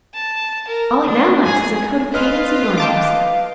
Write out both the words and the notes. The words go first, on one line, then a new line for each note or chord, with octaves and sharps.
All it now lacks is a coat of paint and some doorknobs.
A5
A#4
D4
G#4 G#5
F4 B4 D#5 F6
F5 G5 A5 D6